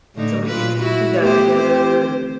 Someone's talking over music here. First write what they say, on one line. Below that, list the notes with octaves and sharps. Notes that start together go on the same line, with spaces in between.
so we do we'll do that together, and
A2 D3 D#4
A#2 F4 B4
E4 F#4
A3 B3 G4 C5
C4 C5